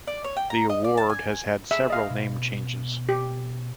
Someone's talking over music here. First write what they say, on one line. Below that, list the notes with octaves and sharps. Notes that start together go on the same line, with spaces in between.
The award has had several name changes.
D5
C#5
G5
A#5
D#5
D5
A5
G#5
G#4 E5
D#5 F5
B2
G4